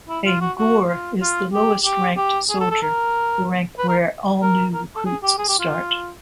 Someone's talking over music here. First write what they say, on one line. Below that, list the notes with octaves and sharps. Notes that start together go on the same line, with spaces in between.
A gorr is the lowest-ranked soldier, the rank where all new recruits start.
E4
F4
F#4
F#4
F4
F4
G4
G4
G4
G#4
A4
A4
A#4
B4
A#4
A#4
A#4
A4
G#4
G4
G#4
G4
F4